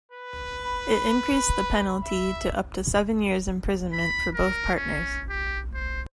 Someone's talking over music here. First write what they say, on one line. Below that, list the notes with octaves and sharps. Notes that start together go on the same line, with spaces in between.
It increased the penalty to up to seven years imprisonment for both partners.
B4
B5
E5
B5
A#4
C#4
G4
C5